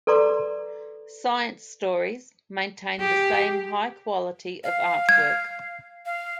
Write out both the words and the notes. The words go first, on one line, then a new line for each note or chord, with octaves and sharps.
"Science Stories" maintained the same high quality of artwork.
A4 B4 D5 A#5 C6 D6
G4 G#4
F5
G#6
F5